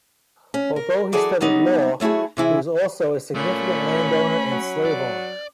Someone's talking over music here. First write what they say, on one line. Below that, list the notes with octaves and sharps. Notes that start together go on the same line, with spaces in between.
Although he studied law, he was also a significant landowner and slave owner.
C#4
A#4
E3 F#3 G#4 A4 D5 F#5
F#3 G3 B3 D#4
F#3 A3 E4 F#4 G#4
C3 E3 E4 G#4
A#2 A3 C#4 B5
F#3
D5